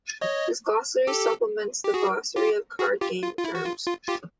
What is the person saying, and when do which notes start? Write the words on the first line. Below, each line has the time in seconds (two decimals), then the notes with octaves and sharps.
This glossary supplements the Glossary of card game terms.
0.21 C#5 D#5
1.07 G4 A4
1.84 G4
1.94 F#4 G#4
2.36 F4 G4
2.79 F#4 G#4
3.01 F4 G4
3.22 F4
3.38 F4
3.45 E4
3.55 F#4
3.65 F4
3.87 F4
4.08 F4 G4